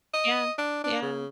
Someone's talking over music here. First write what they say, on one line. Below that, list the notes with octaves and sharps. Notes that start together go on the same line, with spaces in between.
Yeah, yeah.
D#5
D4
D4
C#3